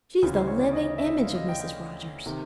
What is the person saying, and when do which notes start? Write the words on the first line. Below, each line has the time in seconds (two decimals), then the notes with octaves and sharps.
"She's the living image of Mrs. Rogers."
0.22 D2 C#3 E3 B4
0.35 C5
0.47 C#5
0.60 D5
0.73 D#5
0.98 E5
1.23 F5
1.35 D#5
1.49 G5
1.61 G5
2.26 C3 D#3